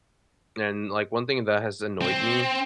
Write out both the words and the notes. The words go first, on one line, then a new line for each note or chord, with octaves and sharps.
And, like, one thing that has annoyed me
C4